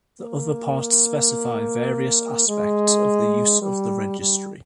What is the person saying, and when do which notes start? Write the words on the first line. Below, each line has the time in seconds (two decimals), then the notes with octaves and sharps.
The other parts specify various aspects of the use of the registry.
0.20 A#3
2.48 G#3
3.62 G3
4.19 G3